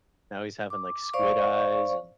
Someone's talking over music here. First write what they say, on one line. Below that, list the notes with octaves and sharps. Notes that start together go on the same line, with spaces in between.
now he's having, like, squid eyes, and
D6
C5 D5 F5 C#6